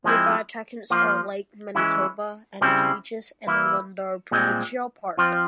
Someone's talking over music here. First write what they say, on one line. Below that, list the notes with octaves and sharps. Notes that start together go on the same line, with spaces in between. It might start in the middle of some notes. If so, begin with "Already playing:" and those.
Nearby attractions are Lake Manitoba and its beaches, and the Lundar Provincial Park.
F3 G#3 C4 E4
F3 A#3 F4
E3 G#3 C#4 E4
C#3 G3 C4 E4
E3 A#3 E4
A#2 G#3 C4
F3 C4 F4